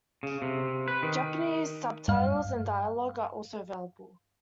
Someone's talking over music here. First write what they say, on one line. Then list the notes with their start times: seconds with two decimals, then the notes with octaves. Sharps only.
Japanese subtitles and dialogue are also available.
0.23 C#3
0.42 C3
0.88 B4
1.03 D#3
2.08 G2 F5